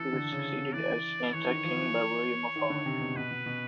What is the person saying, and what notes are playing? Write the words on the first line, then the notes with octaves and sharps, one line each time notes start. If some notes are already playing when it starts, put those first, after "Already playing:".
He was succeeded as anti-king by William of Holland.
Already playing: E3 A4
D3
C#3
E3 D5
E3 C#5
D#3
F3
E3
D#3
D3
C3
B2
B2 B4
B2
B2